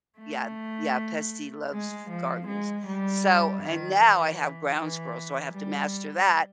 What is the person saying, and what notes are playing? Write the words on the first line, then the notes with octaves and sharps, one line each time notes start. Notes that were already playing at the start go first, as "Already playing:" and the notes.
Yeah, yeah, pest he loves f gardens. So, and now I have ground squirrels so I have to master that,
A3
G#3
F3
G#3
G3
D#3
E3
E3
G3